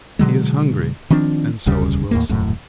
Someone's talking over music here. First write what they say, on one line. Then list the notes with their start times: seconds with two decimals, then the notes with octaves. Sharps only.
He is hungry and so is Wilson.
0.19 B2 D3 F#3 G#3
1.10 D#3 F3 C4 D4
1.66 E1 D2 C#3 G3
2.11 D#2 A2 A#3
2.29 D#1 F#2 A2